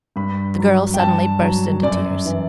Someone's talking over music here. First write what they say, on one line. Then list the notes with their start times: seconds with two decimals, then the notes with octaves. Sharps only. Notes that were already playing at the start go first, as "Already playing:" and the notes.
The girl suddenly burst into tears.
0.16 G2 B5
0.58 F#3
0.94 G5
0.99 G2 A5
1.41 F#3
1.83 F#2 D5
2.25 E3